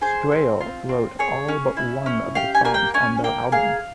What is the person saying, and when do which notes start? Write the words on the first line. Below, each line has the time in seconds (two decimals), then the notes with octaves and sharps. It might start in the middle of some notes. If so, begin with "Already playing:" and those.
Strayer wrote all but one of the songs on their album.
0.01 G#4 C5
0.32 C4
0.61 F4
0.89 C4
1.19 G#4 C#5
1.48 C#4
1.77 E4
2.06 C#4
2.35 G4 F5
2.55 G#5
2.65 A#3 G#5
2.74 G5
2.94 C#4 G#5
3.24 A#3 G5
3.52 G#4 F5